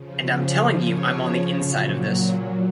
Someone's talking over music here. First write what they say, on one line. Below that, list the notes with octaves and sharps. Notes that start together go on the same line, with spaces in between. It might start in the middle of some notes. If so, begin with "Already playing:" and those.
And I'm telling you I'm on the inside of this.
Already playing: C#3 F3
G4
C#3 F3 C#5
A#2 F#3